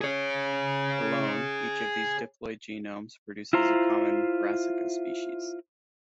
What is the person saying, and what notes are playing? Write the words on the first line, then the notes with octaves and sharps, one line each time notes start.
Alone, each of these diploid genomes produces a common "Brassica" species.
G#4 C#5
E4 F4 C5 A#5